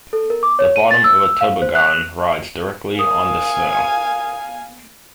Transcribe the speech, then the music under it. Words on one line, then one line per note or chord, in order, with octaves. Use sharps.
The bottom of a toboggan rides directly on the snow.
A4
A#4
D6
C#5
D#7
A6
E6
F5
C5
F#6
A#4 F5 G#5 D#6